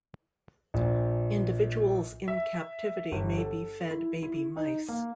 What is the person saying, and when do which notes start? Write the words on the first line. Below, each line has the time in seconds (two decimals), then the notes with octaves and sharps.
Individuals in captivity may be fed baby mice.
0.74 A#1
2.28 E5
3.12 G1
3.38 A4
3.91 E4
4.23 E4
4.57 D#4
4.89 A#3